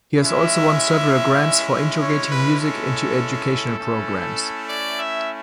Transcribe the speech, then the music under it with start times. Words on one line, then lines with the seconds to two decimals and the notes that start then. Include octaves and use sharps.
He has also won several grants for integrating music into education programs.
0.22 G#3 C#4 E4 E5
2.01 C#5
2.31 B4
2.61 A4
3.79 A3 C#4 E4
4.69 D5
4.99 E5